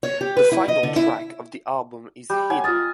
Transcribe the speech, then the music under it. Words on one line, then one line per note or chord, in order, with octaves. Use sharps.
The final track of the album is hidden.
C#5
G4
B4
E4
D#5
D3
E4
G3 G6
G4 C#5 F#5 G#5
F4 D#5 F6 A6